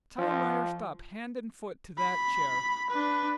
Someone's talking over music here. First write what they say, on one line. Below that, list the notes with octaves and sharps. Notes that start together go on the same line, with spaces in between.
Tie Myerst up--hand and foot--to that chair.
F3
B5
D4 B4